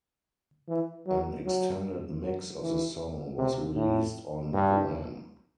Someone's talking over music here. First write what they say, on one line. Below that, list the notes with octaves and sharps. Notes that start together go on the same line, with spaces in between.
An extended mix of the song was released on Wham!
E3
F#3
F#3
F#3
E3
C3
A2
G2